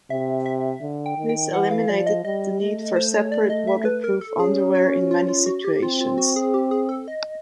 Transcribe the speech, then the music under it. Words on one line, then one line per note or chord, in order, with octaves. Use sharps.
This eliminated the need for separate waterproof underwear in many situations.
C3 E5
E5
D3
G5
D#3
G5
E3 F#5
F5
F3 D5
D#5
G3 D#5
A3
C5
C#5
D5
D#5
E5
B4
A#4
A4
C#4 G#4
F#4
F4
F4
F#4
G4
C4 F4
F4
F#4
G#4
G4
G#4
A4
D#5